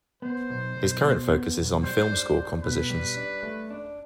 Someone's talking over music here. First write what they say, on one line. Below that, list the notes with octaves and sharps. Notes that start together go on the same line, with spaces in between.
His current focus is on film score compositions.
B3 C5
B1
B1
B2
B3
B1
G3 C5
D4
C2
B2 B4
G3
D4
A3
D4